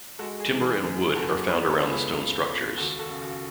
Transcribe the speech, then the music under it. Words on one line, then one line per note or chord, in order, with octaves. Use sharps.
Timber and wood are found around the stone structures.
G#3 F#4 A4
G#4
E3
G#4
F#2 G#4
F#2 F#4 A4
B3 G#4 B4
A4 C#5
C#2
G#4 B4
C#2
C#2
D#2 F#4 A4
F#4 A4
C#3
F#4